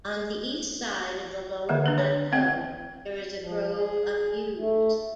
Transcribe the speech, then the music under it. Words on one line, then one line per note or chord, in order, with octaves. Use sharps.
On the east side of the lower plateau there is a grove of yews.
D3 D#3 A#3 E5
D4 G#4 B4
C#5
C4 F#5 G5
F3
G#4
A3